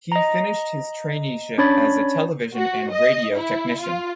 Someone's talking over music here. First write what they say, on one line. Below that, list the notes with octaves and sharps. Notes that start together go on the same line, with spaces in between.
He finished his traineeship as a television and radio technician.
D#5 A#5
C#4 D4 C#5 B5 A6
F#4
D#5
E4
F4